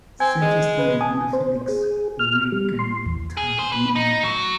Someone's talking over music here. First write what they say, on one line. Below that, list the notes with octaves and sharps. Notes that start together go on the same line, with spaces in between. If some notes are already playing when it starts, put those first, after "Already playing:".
Sacher studied under Felix Weingartner, among others.
C4 G#5 G#6
G#3
B4
G#5 A5 D#6
C5
G#4
F6
G3
C6
E2
G#4
C5
B4
D#4
F#3